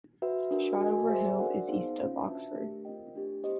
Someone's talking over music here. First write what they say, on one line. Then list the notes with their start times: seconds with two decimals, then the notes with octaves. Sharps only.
Shotover Hill is east of Oxford.
0.22 F#4 B4 E5
0.51 D4 F#4 A#4
0.80 F#4 A#4 D#5 G#5
1.10 G#4 C5 E5 G#5
1.39 D4 F#4 A#4 D5 F#5
1.68 B3 D#4 G#4 C5 F5
1.97 A#3 C#4 F4
2.26 D4 F#4 B4 E5 A5
2.56 A3 D4 G4 A#4
2.85 C4 F4 A#4 D#5 G5
3.14 A3 D4 G4
3.43 B3 E4 G4 C5 D#5